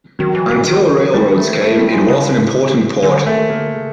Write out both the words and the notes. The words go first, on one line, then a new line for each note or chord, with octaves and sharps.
Until railroads came, it was an important port.
D#3 F#3
E3
E3
D#3
G3
A3
A3
G3
G#3
C#3
D3 G#3
D#3 A3
D3 A#3
C#3